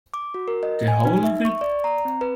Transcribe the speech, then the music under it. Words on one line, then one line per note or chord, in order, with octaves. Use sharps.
The whole of it?.
D6
F#4
A#4
D#5
G#5
D#4
E5
C#6
D5
A#5
C4
B4